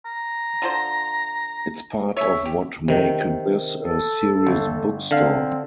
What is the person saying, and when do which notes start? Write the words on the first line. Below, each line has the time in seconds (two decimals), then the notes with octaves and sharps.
It's part of what make this a serious bookstore.
0.06 A#5
0.62 D3 F3 C5
2.17 C#4 C#5 E5
2.45 G4
2.88 C3 D#3
3.79 A4
4.47 G1
5.11 D3 C4 F5